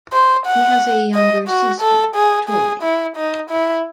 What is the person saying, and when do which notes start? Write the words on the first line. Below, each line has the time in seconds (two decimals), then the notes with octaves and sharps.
He has a younger sister, Tori.
0.13 C5
0.46 F#5
1.14 D#5
1.48 F#4
1.81 A4
2.15 G#4
2.49 G#4
2.82 E4
3.16 D#4
3.50 E4